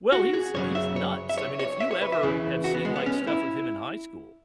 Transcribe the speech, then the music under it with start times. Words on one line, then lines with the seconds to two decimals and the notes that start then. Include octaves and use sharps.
Well, he's he's nuts. I mean, if you ever, have seen, like, stuff of him in high school,
0.12 F#4
0.33 G#4
0.54 F#2 C#3 F#3 C#5
0.75 E5
0.96 C#5
1.29 E5
1.38 C#5
1.59 C#5
1.80 E5
1.91 C#5
2.01 B4
2.12 E5
2.23 E2 C#3 E3
2.64 F#4
2.74 B3
2.85 G#3
2.96 B3
3.06 C#4
3.27 E4